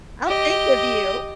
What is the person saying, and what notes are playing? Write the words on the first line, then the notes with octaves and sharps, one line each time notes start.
I'll think of you.
G4 D#5